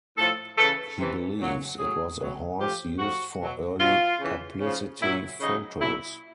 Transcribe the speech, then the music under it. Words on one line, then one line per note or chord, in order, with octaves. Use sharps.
He believes it was a horse used for early publicity photos.
A2 F3 A4
C#3 E3 A4
C3 E3
A#2 F#3
A2 F#3 G#4
B2 F#3
A2 F3 G4
A2 F3 F#4
B2 F#3
B2 F#3 F4
C#3 E3
C#3 F3
A#2 F#3 E4
C#3 F#3 D#4
A#2 F#3 E4